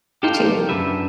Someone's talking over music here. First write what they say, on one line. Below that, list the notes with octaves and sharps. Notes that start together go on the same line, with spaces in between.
You too.
G4 A4 A#4 C5 F5 G5
F#2 C#3 D4 E4 B4 E5